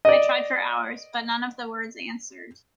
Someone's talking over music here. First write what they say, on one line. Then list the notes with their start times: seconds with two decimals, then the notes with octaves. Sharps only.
I tried for hours, but none of the words answered.
0.05 D5 D#5